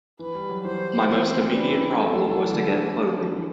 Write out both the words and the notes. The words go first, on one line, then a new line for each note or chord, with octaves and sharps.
My most immediate problem was to get clothing.
E3 B4
G3
F#3
E3 C5
E3
C4
C4
D4 B4
E4
C4
A3 A4
F#3
E3
E3
D3
D3
E3